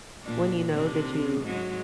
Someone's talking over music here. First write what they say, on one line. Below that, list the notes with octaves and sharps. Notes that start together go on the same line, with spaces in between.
when you know that you
A#2 D4
C3 C4 D4
G#2 F#3 G#3